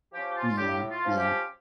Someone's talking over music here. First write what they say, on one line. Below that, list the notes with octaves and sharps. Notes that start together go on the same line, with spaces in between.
Yeah, yeah.
F3 C#4 G4
G4
F4
A2 G4
F4
F3 C#4
G4